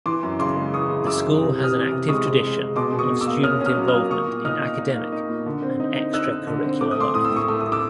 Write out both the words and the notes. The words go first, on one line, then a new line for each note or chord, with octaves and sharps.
The school has an active tradition of student involvement in academic and extracurricular life.
E3 C6 D6
F#2
C#3 C6 D6
G#3
E3 C#6 D#6
C#3
F#2 D6 E6
E3
C3
C3
D#6 F6
E3
C3
G#3 C#6 D#6
C3
G#3
G#3
B2 C6 D6
B2
C#6 D#6
B2
D6 E6
A#3
C#4 D#6 F6
C#4
D#6 F6
F#3
D#6 F6
A#3
A#3 C#6 D#6
A#2
D#4 D#6 F6
D#4
D#4
A#3
D#4
A#2
D3
C4
D#4
D#4
D#4 E6 F#6
D#4
D3
C4
A3 D6
D#6
A3 C6 D6
A2 D#6
E6
A2 C#6 D#6
A3 E6
A3 D#6
D6 E6